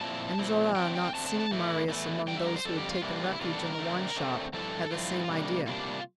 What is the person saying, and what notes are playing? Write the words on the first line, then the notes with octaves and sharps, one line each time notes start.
Enjolras, not seeing Marius among those who had taken refuge in the wine-shop, had the same idea.
A#2 F3 C4 E4 A5
A#2 F3 C4 E4
D3 A3 C4 G5
G5
D3 A3 C4 A5
A5
A5
E2 E3 A3 E4
E2 E3 A3 E4
F2 D3 G3 G5
E5
A#4
C5
F2 D3 G3 A4
G4
F4
C3 E3 G3 A#3 D4 E4
F4
E4
C3 E3 G3 A#3 D4 F4
A4
A#4
D3 A3 C4
D3 A3 C4
G2 F3 A3 C4 E4 A4
G2 F3 A3 C4 E4 F4
C3 G3 A#3 D4
C3 G3 A#3 D4 F4